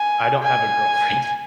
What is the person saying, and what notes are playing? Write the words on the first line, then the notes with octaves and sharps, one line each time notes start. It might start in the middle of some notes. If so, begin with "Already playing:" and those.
I don't have a girlfriend.
Already playing: G#5
G#5